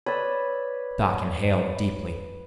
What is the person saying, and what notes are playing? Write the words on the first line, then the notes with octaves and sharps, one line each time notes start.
Doc inhaled deeply.
B4 C#5 D5 D#6 E6